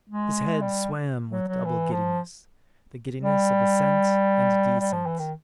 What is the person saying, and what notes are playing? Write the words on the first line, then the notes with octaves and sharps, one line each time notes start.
His head swam with double giddiness--the giddiness of ascent and descent.
G#3
G3
F#3
F#3
E3
F3
G3
G3
F3
E3
D#3